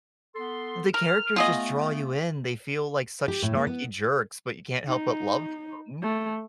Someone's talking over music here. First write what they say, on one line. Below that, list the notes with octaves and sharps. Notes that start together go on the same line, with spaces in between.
the characters just draw you in. They feel like such snarky jerks, but you can't help but love them.
B3 A4 C6
A#4 F6
A3 B3 F4 G#4 D#5
G4
A2
A#3
B3
D#4
A3